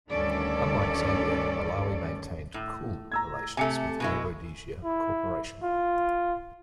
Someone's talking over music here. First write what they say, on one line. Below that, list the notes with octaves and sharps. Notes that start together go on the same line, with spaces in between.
Unlike Zambia, Malawi maintained 'cool' relations with Air Rhodesia Corporation.
D2 G2 D#3 C#4 A4 D5
A2
A#5 E6 G#6
C3 A3 G#5 C#7
B2 G#3 E4
E4
F4